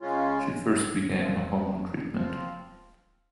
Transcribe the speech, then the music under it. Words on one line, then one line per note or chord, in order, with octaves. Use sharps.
She first began a hormone treatment.
C#3 G#3 C#4 F4
A#2 F3 C4
F3 C4 F4